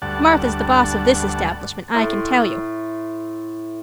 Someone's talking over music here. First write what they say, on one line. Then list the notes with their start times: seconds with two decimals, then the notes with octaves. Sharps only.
Martha's the boss of this establishment I can tell you.
0.02 D2 G2 D5 F#5 A5
1.94 A2 C6